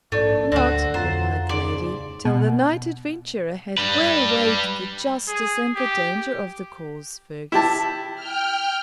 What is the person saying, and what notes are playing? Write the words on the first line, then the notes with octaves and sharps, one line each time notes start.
'Not,' replied the lady, 'till the knight adventurer had well weighed the justice and the danger of the cause, Fergus.
A#1 G#2 A3 A4 D5
D2 D3 C4 F#4
B1 F2 F#3 F4 C5 F#5 A#5 A6
D#2 G#2 C#3 D#4 G#4 D5 C6
B2
G3 B4
G#4
G4
E4 G4 A5
G5 F6